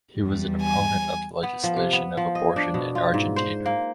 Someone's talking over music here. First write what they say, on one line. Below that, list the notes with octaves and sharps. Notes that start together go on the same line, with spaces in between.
He was an opponent of the legalization of abortion in Argentina.
E2 G3
G#5
B3
F3
C3
B3
F3
D#5
D4
B2
F4
G#2
C5
A#3